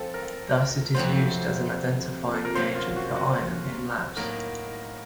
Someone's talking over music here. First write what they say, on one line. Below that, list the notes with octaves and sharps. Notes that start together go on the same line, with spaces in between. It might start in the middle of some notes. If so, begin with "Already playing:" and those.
Thus it is used as an identifying reagent for iron in labs.
Already playing: F3 C4 F4 A4
A#4
F2 C3 F#3 A3 C5
A4
A#4
C3 F#3 A#3 C#4 C5
F4
F#4
F#4
A2 F#3 A#3 D#4 A#4